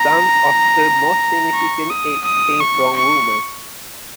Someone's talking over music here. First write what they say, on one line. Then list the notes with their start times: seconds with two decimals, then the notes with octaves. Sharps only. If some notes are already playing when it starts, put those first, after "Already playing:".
Some of her most significant aid came from women.
Already playing: A#5
1.54 C#6
1.89 D#6
2.25 D#6
2.60 C#6
2.97 C#6